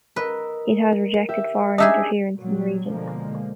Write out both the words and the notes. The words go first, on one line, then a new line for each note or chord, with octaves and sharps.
It has rejected foreign interference in the region.
A#4 B4 D#5 E6
G4 E5
D4 D#4 G#4 D#5 E5 D6
A#2 F#3 G3
B2 D3 F3 G#3 A#3